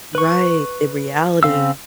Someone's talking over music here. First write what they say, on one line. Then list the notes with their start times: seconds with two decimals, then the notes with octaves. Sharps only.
Right. The reality
0.15 B4 C#6
1.43 C#3 C4 F5 E6